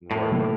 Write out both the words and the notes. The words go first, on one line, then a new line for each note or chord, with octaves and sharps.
Right, right.
A2
C3 D#3 F#3 A#3